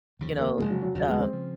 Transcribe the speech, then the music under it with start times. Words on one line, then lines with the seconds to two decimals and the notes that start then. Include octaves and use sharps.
you know, um,
0.19 F1 D#2 C#3 F3
0.39 A#3
0.57 F1 D#2 C#3 F3 G#3
0.70 F#3
0.82 F#3
0.95 F1 D#2 C#3 F3 F#3
1.08 G#3
1.20 C4
1.33 C#3 F3